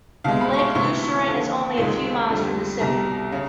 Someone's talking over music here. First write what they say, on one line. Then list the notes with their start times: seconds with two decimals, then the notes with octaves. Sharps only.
Lake Lucerne is only a few miles from the city.
0.24 C2 B2 G#3 F5
0.41 B5
0.53 C#6
0.59 C6
0.75 D2 C3 E3 C#6
1.27 D#2 D3 F3
1.77 C#2 C3 D#3 G#3 C6
2.29 F2 D3 G3
2.80 C2 B2 G3 A#5
3.32 C#3